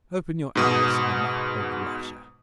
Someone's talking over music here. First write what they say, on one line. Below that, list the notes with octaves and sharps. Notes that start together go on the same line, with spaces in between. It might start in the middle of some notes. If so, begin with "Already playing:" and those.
Open your atlas at the map of Russia.
G#2 B2 D#6